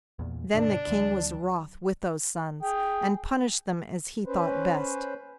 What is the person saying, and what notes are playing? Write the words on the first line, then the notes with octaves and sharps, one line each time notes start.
Then the King was wroth with those sons, and punished them as he thought best.
E2 A#2
G2 B2 D3 D4
D2 F#3
G#4 G5
C#4 B4 C5